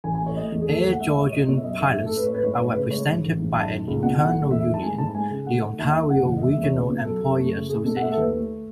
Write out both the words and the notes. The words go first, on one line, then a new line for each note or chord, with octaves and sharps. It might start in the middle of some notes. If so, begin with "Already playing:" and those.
Air Georgian pilots are represented by an internal union, the Ontario Regional Employee Association.
A1 G#5
G#5
A2
C#5
A3 D#5
E2
G#4
A3 A4
D#2
F#5
G#3 E5
A2 C#5
C#2 D#5
B2 C#5
E5
F#2 D#5
D#3 E5
A3
A4
A2
B4
A3 C#5
B4
G#2 C#5
B4
A3 C#5
B4
C#3
G#3 C#5
G#2
A1
G#2
F#2 A5
D#3
C#2
B2 F#5
B1 F#5
A2
E2 E5
D#3
A5
G#3 G#5
G#2 A5
G#3 G#5
C#3
A3 F#5
D#3
D#2 E5
D#3
F#1 F#5
E2
D#5
G#3 E5
E5
E2
C#5
C#2 B4
B2
F#3 A4
F#2
A3
C#3
A3 G#4
B2 A4
F#5
A3 E5
A4
D#2 B4
A3